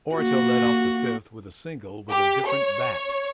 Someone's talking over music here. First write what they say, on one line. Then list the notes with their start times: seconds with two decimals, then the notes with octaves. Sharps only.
Orta led off the fifth with a single with a different bat.
0.15 A#3 F#4
2.09 G4
2.46 C#5